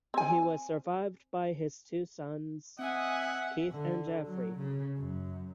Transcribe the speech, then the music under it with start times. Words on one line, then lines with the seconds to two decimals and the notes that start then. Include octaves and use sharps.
He was survived by his two sons, Keith and Jeffrey.
0.14 C4 G#5
2.79 C4 D#5 E5 F#5 G#5
3.71 D3
4.26 F#3
4.58 C#3
4.97 F#2